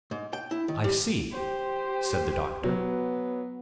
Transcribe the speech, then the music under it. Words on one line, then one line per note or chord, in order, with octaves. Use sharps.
"I see," said the doctor.
G#2
G5
E4
D#3
G3
G4 C5
F#3 B3